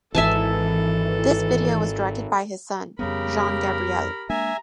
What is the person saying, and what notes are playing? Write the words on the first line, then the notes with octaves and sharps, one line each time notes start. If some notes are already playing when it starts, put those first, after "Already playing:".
This video was directed by his son Jean Gabriel.
D#1 G#1 E3 A4 E5 G#5 A5
F2 C#3 G3 B3 G4 A#4 B5
G#3 A#3 D4 E5 G#5 A#5